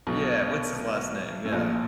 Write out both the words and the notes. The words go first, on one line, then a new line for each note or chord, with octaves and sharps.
yeah, what's his last name? Yeah.
B1 B2
A2
A#1 A#2